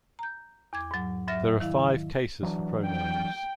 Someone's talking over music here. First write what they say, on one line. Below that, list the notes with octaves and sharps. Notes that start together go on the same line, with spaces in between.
There are five cases for pronouns.
A#5 G6
E2 D6 G#6
G#2 F#3
G#2 F#3 E5 F6 A#6
D#3 E4 F5
E3 F#3 D4
G5